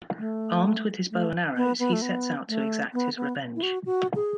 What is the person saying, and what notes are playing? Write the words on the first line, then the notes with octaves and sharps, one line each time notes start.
Armed with his bow and arrows, he sets out to exact his revenge.
A3
A3
B3
B3
A3
B3
A3
B3
B3
E4
F#4
F#4
G#4